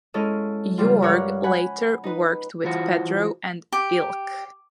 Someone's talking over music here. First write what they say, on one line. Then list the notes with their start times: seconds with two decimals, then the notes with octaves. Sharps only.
Jorge later worked with Pedro at Elche.
0.14 G#3 C#4 E4 A4 D#5 F5
0.78 C#3 F3 G3 F4
1.02 G2 A#4 C#5 F5 F#5
1.44 F#5 G#5 B5
2.04 D#4 B4
2.65 E3 F4 F#4 C5
3.73 G4